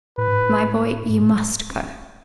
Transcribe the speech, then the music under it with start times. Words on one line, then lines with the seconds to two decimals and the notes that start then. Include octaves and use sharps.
'My boy, you must go.
0.18 A2 B4
0.28 G#2
0.38 A2
1.10 G#2
1.21 A2